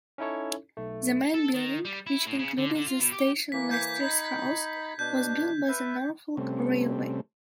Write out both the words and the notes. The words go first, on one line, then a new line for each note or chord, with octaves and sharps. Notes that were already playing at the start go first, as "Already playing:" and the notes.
The main building, which included the Stationmaster's house was built by the Norfolk Railway.
C#4 D#4 E4 A4 C#5
B1 A3
A4
D#3
G3
E4
A2
C#3
D3
D3
F4
B2
G4
E3 A#3 B6
G6 G#6 B6
D#4 B5 B6
B2 D4 G6
B4 E5
C3 G3 A3 C4 C#4